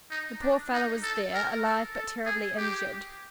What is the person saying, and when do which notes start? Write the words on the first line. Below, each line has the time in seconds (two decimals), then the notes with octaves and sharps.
The poor fellow was there, alive but terribly injured.
0.11 D#4
0.41 D4
0.73 D#4
1.02 A4
1.34 A#4
1.65 A4
1.95 A4
2.26 G#4
2.57 G4